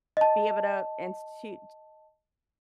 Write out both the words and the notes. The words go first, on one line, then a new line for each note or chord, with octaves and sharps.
be able to institute
D#5 A5